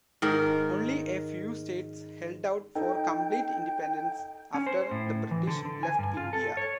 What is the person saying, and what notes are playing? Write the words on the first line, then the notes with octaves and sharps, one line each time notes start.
Only a few states held out for complete independence after the British left India.
G#2 D#3 A#4
D#4 A4 G5
C#4
C5
A2
E3
D3
D3
G#5
G2
F4
A4
C#5